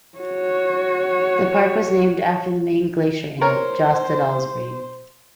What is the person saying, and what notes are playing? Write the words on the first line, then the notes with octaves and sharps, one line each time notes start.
The park was named after the main glacier in it, Jostedalsbreen.
F#4 C#5
A#4 C5 C#5 A#5